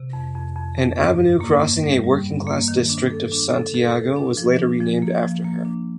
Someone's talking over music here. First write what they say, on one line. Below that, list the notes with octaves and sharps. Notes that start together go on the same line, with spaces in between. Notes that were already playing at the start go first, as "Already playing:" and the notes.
An avenue crossing a working class district of Santiago was later renamed after her.
Already playing: C3
F2
F2
F2
F2
G2
G2
A#3
G2
G3
G3
G2
A#3
D#3
D4
A4
D4
A4
A4
A4
D4
F3
D4
F3
A#3
F3
A#3
D4